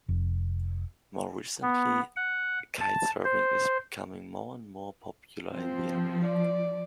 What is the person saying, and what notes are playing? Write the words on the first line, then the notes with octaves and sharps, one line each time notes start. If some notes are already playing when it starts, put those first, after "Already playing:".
More recently kitesurfing is becoming more and more popular in the area.
F1
B3
F#5
A5
C5
F3 C4
D5